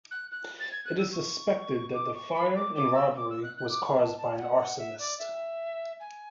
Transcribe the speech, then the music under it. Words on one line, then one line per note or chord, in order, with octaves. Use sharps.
It is suspected that the fire and robbery was caused by an arsonist.
F#6
F#6
A6
G#6
F#6
E6
C#6
D6
C#6
B5
D6
D6
E6
D6
E6
F#6
F#6
D6
C#6
A5
A5
F#5
F#5
E5
D5
E5
G#5